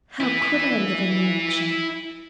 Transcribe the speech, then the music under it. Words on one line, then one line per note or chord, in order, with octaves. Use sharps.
How could I live in inaction?
E4 B4